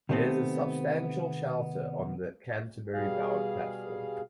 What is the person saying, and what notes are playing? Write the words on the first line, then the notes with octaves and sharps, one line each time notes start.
There is a substantial shelter on the Canterbury-bound platform.
C3 D#3 A3 B3 C4
B2 G3 G#4 F5